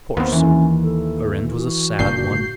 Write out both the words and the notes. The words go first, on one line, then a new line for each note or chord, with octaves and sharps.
Poor soul! her end was a sad one.
D#2 B3 C4
E3 C#4
A4
F#4
F#1 A#2 D3 G6 C7